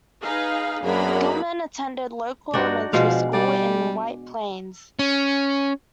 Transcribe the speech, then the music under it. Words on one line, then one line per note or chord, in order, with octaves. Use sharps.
Gilman attended local elementary school in White Plains.
D#4 G#4 B4 F5
F#2 F#3 A#3 B3 D4 G#4 B5
G2 D4 D#4 F#4
B2 F3 G#3 F5
G3 D5
C#4